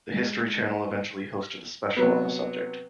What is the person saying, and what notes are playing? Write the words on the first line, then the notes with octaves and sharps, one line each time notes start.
The History Channel eventually hosted a special on the subject.
G#3
C3 F#3 B3